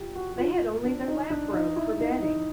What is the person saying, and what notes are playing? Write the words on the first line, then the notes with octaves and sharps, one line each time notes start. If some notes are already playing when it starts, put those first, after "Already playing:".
They had only their lap-robe for bedding.
Already playing: F4 G4
F#4
F#4
F4
D4
D#4
D4
D#4
E4
D#4
D#4